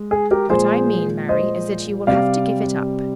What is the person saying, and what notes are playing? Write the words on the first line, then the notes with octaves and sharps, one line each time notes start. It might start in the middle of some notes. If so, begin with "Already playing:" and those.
"What I mean, Mary, is, that you will have to give it up."
Already playing: G#3
G#4
G4 A#4
A#2 F3 G#3 G#4 C5
C5 D#5
C3 G3 D5 F5